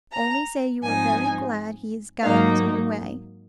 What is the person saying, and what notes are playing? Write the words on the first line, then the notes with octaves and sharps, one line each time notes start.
'Only say you are very glad he is gone his own way.'
A#5
G#2 F3 C4 D#4 G#5
G#2 F#3 A#3 D#4 F5